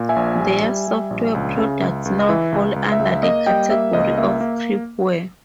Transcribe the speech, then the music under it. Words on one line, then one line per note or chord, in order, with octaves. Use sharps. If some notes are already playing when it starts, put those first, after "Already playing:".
Their software products now fall under the category of crippleware.
Already playing: A#2
E5 G#5
A#1
G3
G3
G3
A#1
C#2
C#3
C#2
C#2
D#5
E3 E5
C#2
C#2
E5
C#2
A#3 D#5
G3 D#5 G5
A#3 E5
C#2 D#5
A#3 E5
A#3